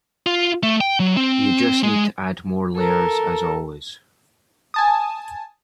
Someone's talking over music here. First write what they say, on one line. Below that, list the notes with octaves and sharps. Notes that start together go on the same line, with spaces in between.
You just need to add more layers as always.
F4
A3
G5
F#3
C4
G#3
A4 A#4
G#5 A5 D#6